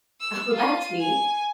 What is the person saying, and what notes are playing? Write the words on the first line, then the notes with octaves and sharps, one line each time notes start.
Oh, that's neat.
E6
F4 D#7
G#5